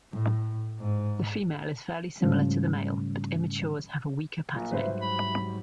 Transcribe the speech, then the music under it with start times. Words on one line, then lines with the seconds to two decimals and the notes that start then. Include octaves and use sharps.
The female is fairly similar to the male, but immatures have a weaker patterning.
0.11 A2
0.78 G#2
2.21 G#2 C#3 F3 G3 A3 C#4
4.55 A#1
4.71 G#2 F#3 G3 B4 C5 E5
5.02 B5